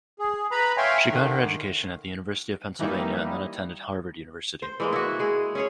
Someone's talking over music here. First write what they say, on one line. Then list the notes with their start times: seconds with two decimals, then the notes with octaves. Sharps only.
She got her education at the University of Pennsylvania and then attended Harvard University.
0.19 G#4
0.52 B4 A#5 B5
0.77 C#5 E5 F5 G5 G#5 C6
1.10 D3 D#3
2.79 D#3 E3 G3 A#3 D#4 E4
4.62 C5
4.80 E3 G#3 A#3
4.93 E4 F#4
5.19 G#3 G#4
5.55 C#4 G#4 C#5